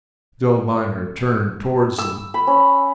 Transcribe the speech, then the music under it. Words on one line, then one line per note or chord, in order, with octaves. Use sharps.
The old miner turned towards them.
E6
B5
C#4